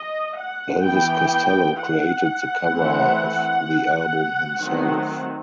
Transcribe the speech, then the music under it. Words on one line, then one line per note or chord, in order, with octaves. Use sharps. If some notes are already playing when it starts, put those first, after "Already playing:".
Elvis Costello created the cover of the album himself.
Already playing: D#5
F#5
E3 B3 G5
F#5
E3 A3 C4
D#3 F#3 A3 C4